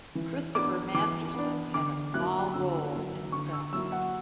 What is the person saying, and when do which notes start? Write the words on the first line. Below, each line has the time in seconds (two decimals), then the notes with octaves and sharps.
Christopher Masterson had a small role in the film.
0.15 E3
0.55 B3 D4 D6
0.94 E3 D6
1.35 B3 D4
1.74 D3 D6
2.14 F#3 A#3 E4 F#6
2.54 D3 E6
2.93 F#3 A#3 E4
3.32 D3 C#6
3.53 E6
3.72 F#3 A#3 E4 E6
3.92 F#5